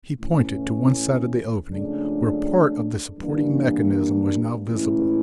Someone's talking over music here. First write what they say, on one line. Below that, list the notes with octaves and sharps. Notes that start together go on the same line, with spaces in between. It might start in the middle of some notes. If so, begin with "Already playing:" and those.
He pointed to one side of the opening, where part of the supporting mechanism was now visible.
A2 E3 A3 C#4
C#2 C#3 F3 A3 D4
G2 E3 G3 A#3 D4
A2 E3 G#3 C#4 E4